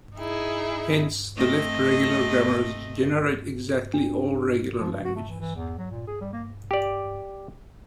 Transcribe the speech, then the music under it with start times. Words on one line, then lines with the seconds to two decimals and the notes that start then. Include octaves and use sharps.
Hence, the left regular grammars generate exactly all regular languages.
0.17 D#4 E4 G#4
1.37 A3 C4 D#5
3.94 D4
4.81 F3
4.92 G2
5.05 F#4
5.16 A3
5.29 E3
5.40 E3
5.56 E2
5.78 F#3
5.91 A#2
6.07 G#4
6.21 G3
6.33 A#3
6.71 G4 D5